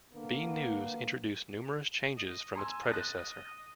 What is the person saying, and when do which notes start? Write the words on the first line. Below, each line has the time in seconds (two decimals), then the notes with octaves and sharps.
B News introduced numerous changes from its predecessor.
0.13 D3 A#3 B3
2.17 D#5
2.55 G#5 A#5 C6 E6
2.90 D#5 F#6 A6 A#6